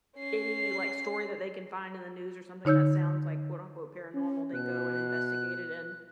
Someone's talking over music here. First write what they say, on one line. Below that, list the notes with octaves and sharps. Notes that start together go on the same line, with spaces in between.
any, like, story that they can find in the news or something that sounds like quote, unquote "paranormal," they go and investigate it and
C#4 C7
D3 D#4 C#5 E6 G6
C#4
B2 F#6